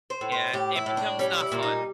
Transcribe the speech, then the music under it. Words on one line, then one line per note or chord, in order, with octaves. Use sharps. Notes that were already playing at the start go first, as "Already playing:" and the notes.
Yeah. It becomes not fun.
C5
A2
C5
A2 G4
E4
A2
D4
G3 C#4
E4
A#2
D#4